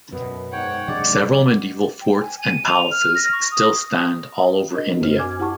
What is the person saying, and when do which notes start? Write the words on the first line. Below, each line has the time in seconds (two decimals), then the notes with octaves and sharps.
Several medieval forts and palaces still stand all over India.
0.12 F#2 B2 B3
0.52 G#2 C#5 F#5 G5
0.88 C3 F#3 G#3 D4 D5
2.01 G5
2.21 G#5
2.42 D#7
2.66 F7
2.91 F6
3.16 A#6
3.32 C#6
3.51 D#6
4.74 D4 F#4 A#4 D#5
5.01 F#2 C4 F#4 C5 F6
5.18 G#5 D6 F6 G#6
5.40 E4 G4 F#5 A5 C#6